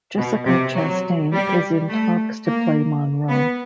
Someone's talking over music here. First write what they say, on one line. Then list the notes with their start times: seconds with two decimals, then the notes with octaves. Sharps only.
Jessica Chastain is in talks to play Monroe.
0.18 B2
0.46 C3
0.75 F#3
1.32 G3
1.88 A3
2.45 A#3
3.29 B3